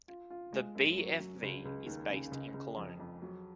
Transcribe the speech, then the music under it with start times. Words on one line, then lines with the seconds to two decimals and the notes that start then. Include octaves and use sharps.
The BfV is based in Cologne.
0.08 F4
0.30 F4
0.53 G#3
0.75 F#2
0.97 F#3
1.20 F#3
1.42 C#2
1.65 C#2
1.86 D#2
2.09 C#3
2.32 C#2
2.54 C#2
2.77 F2
3.00 F2
3.22 F#3